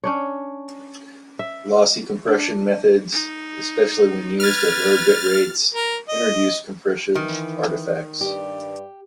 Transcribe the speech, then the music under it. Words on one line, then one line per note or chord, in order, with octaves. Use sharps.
Lossy compression methods, especially when used at low bit rates, introduce compression artifacts.
C#4 D4 C#5
E5
D4
D#4
B4 F6 G#6 A6
A#4
D#5
D#3 E3
G2 G4 D5